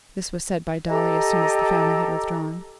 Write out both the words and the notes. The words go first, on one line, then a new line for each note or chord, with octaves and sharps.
This was said by Dolly as soon as the family had withdrawn.
G4 A4 D#5 A#5